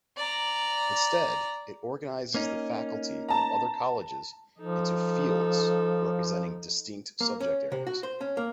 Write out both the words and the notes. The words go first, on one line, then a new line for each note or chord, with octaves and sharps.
Instead, it organizes the faculty of other colleges into "fields" representing distinct subject areas.
D5 A#5
A#3 C#4 D#4
A5 A#5
F3 D#4 A4
A#3
C#4
C3
F#4
C5
C#4
A#3